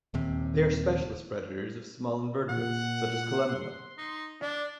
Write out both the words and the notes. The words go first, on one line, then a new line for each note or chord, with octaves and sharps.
They are specialist predators of small invertebrates such as collembola.
D#1 D#2 C3
A#2 F#5
C6
D#4
D4 D5